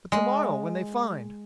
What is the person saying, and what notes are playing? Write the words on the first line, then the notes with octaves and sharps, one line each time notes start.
"But tomorrow when they find...."
G#3